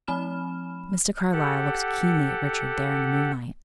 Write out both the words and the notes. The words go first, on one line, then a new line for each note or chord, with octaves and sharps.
Mr. Carlyle looked keenly at Richard there in the moonlight.
F3 C4 B5 F6 E7
G4 A4 F#5